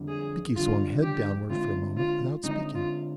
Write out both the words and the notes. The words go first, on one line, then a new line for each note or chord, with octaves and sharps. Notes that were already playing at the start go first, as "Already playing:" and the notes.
Binkie swung head downward for a moment without speaking.
Already playing: F2 D3 G3
G#4
F2 D3 G3 F4
G4
D3 G#3 C4 F4
F4
D3 G#3 C4 D#4
F4